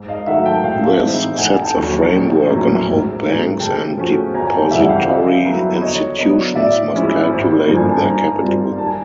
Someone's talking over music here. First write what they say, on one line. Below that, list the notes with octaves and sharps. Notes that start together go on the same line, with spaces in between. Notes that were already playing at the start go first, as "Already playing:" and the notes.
This sets a framework on how banks and depository institutions must calculate their capital.
Already playing: G#2
D#5 F5
D#3 F#3 A3 E5 F#5
G5 A5
A2 F5 G5
E3 G#3 C4 D#4
F1 F#5 G#5
G5 A5
D#2 D3 F#3
A#1
A2 F#3 A#3 C#4
G#2
D#3 F#3 A3 C#4
C#3 G5 A5
F3 A3 C#4 F#4
G1 G#5 A#5
G#5
G5 A5
F2 C#3 E3 G3 E5 F#5
F#5
F5 G5
D3 D#5 F5
F#3 B3 E4
D3 C#5 D#5
F#3 B3 D4 C#5 D#5
A2 D5 E5
F3 G#3 C#4 E4
G#1
G2 D3 F3 A#3
G#5
A5
D#3 G#5 A#5
G3 C4 F4 A#4
D#3 A5
G#5